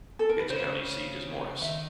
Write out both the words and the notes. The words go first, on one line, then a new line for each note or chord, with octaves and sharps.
Its county seat is Morris.
A4
A#4
B4
C#3 C5
D#3 E5